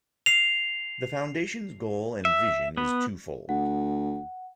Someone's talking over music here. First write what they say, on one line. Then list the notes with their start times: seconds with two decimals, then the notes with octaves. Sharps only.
The Foundation's goal and vision is two-fold.
0.26 C7 F7
2.25 E5
2.77 B3
3.49 D2 F#5